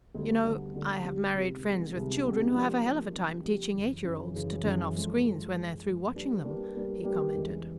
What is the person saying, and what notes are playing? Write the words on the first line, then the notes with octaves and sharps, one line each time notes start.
"You know, I have married friends with children who have a hell of a time teaching eight-year-olds to turn off screens when they're through watching them," he commented.
D2 D3 G3 B3
D2 D3 G3 B3
D2 D3 G3 B3
D2 D3 G3 B3
C2 C3 D#3 G#3 B3
C2 C3 D#3 G#3 B3
C2 C3 D#3 G#3 B3
C2 C3 D#3 G#3 B3
F3 A#3 D4 G4
F3 A#3 D4 G4
F3 A#3 D4 G4
F3 A#3 D4 G4
F#2 C#3 E3
F#2 C#3 E3
F#2 C#3 E3
F#2 C#3 E3
G#2 F3 A3
G#2 F3 A3
G#2 F3 A3
G#2 F3 A3
G3 A#3 D4 G4 B4
G3 A#3 D4 G4 B4
G3 A#3 D4 G4 B4
G3 A#3 D4 G4 B4
E2 C#3 E3 G#3